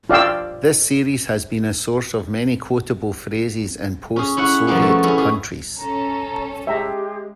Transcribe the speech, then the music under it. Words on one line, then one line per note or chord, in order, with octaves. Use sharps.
The series has been a source of many quotable phrases in post-Soviet countries.
F4 D5 F5 G5 E6
C#4 G#4
C#4 E4 C#5 F#5
B2 F3 G3 A#3 B3 C#4
A3 A4
C#4 E4 G#4
C#4 G#4
C#4 A4 A#5
G#3 G4 E5 G5 A#5